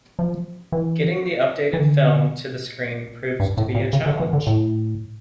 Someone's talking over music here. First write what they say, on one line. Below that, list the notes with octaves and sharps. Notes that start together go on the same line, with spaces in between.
Getting the updated film to the screen proved to be a challenge.
F3
E3
E3
D3
G2
A2
A#2
C#3
D3
E3
D3
A2